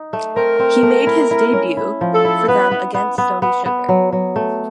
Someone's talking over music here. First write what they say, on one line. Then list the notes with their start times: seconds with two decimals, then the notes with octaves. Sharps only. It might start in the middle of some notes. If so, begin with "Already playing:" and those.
He made his debut for them against Sony Sugar.
Already playing: D#4
0.13 A3
0.35 C4 A#4
0.59 C4
0.83 A3
1.07 E4
1.31 E4
1.53 C#4
1.77 E4
2.01 F3
2.13 A4
2.25 E4
2.47 B3 B4
2.71 B3
2.94 B3
3.18 B3
3.42 B3
3.66 B3
3.89 F#3
4.13 F#3
4.36 A3